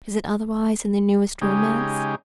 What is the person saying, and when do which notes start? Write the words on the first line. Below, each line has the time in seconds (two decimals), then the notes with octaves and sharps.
Is it otherwise in the newest romance?
1.41 C#3 G#3 D#4 G4